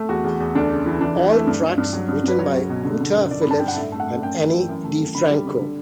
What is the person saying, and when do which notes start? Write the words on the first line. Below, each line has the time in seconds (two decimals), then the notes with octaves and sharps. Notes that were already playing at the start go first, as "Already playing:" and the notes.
All tracks written by Utah Phillips and Ani DiFranco.
Already playing: A3
0.09 E2 F#4
0.24 E2
0.40 E2
0.55 D2 D4
0.71 C#3
0.86 E3
1.01 E3 D4
1.16 E3
1.32 A3
1.47 G2
1.62 G2
1.78 G2
1.93 F#3
2.08 G2
2.24 G2 B4
2.39 F#3 C#5
2.54 C#2
2.70 B2
2.85 D3
3.00 D3
3.15 F#2
3.31 D3 D5
3.41 B5
3.47 G2 A5
3.59 G2 G5
3.68 F#5
3.77 A2 E5
3.92 A3
4.00 F#5
4.08 A3
4.23 F#2 G5
4.38 F#2
4.53 E3
4.69 F#2
4.84 A3
5.00 F#2
5.15 D3 B5
5.30 G3
5.45 D3
5.61 D3